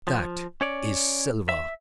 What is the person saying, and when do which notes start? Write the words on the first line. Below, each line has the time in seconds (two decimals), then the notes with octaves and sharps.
That is silver!
0.08 F3
0.61 C#4 C#5 D5
1.49 E5